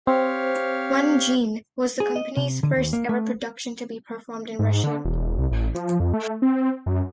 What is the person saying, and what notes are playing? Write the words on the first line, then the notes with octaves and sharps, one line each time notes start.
"Onegin" was the company's first ever production to be performed in Russian.
C4 G4 C#5 F5
G#4
D#5
C3
D3
D#2
A#3
A3
G#2
D3
E1
C2
A1
F3
F2
A3
C4
F#2